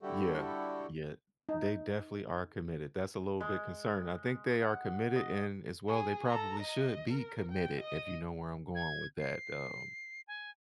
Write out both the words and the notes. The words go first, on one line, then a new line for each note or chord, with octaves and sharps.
Yeah, yeah, they definitely are committed, that's a little bit concerning. I think they are committed, and as well, they probably should be committed if you know where I'm going with that, um,
D3 G3 E4 F#4 G4 A4
D#4
G#3
F#5
D#5
G#4
A4 A#5
D#5
A#4
G5
D#5 D#6
G#6
C7
G#5